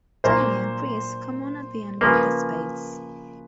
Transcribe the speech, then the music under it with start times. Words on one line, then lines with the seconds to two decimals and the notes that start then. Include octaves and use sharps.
Jayne and Chris come on at the end with the spades.
0.24 A#2 F#3 A#3 D4 C5
2.01 C#3 F3 A#3 B4